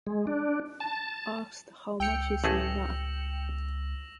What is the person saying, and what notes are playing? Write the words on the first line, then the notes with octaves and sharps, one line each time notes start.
Asked how much is enough?
G#3
D4
A5
C#2 G5 E6 C#7 F7
A1 A3 G#4 A#6 E7 F#7